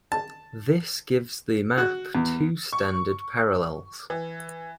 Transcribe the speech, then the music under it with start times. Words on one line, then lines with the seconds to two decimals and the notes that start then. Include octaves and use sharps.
This gives the map two standard parallels.
0.12 A5
1.78 F#4
2.15 E2
2.73 C#6
4.10 E3